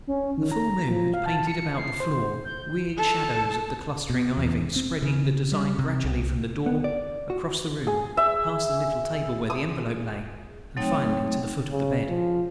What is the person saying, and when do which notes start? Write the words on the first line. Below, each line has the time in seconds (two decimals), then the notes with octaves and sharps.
The full moon had painted about the floor weird shadows of the clustering ivy, spreading the design gradually from the door, across the room, past the little table where the envelope lay, and finally to the foot of the bed.
0.07 C#4
0.38 D#3
0.52 A#5
0.72 A#5
0.89 F3
1.14 F5
1.26 A5
1.47 C#7
1.77 C7
2.00 C5
2.45 G6
2.97 A4 A5
4.10 B2
4.37 E2
4.76 C4
5.02 C#3
5.52 G3
5.79 C3
6.04 C2
6.66 B3
6.84 D5
7.30 F#4
7.87 G#4
8.17 E5
9.50 D#6
10.77 F#3 A3 C4 D#4 C#5 G5
11.70 C#3
12.09 F3